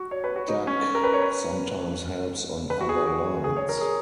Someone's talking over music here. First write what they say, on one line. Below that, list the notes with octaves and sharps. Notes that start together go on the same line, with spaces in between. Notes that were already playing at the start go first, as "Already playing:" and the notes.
Duck sometimes helps on other lines.
Already playing: F#4
C#5
B4
F#4
D#4
C#4
A#4
B4
C#5
B4
B4
F#4
G#4
F#4
G#4
C#5
A#4
G#4